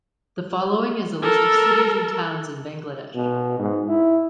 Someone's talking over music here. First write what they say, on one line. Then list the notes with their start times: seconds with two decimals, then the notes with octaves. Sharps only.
The following is a list of cities and towns in Bangladesh.
1.23 A4 A#4
3.15 B2
3.59 G#2
3.88 E4